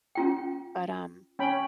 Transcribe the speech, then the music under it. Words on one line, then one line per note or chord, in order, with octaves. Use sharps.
but, um,
C#4 F4 G5
C#4 G5 B5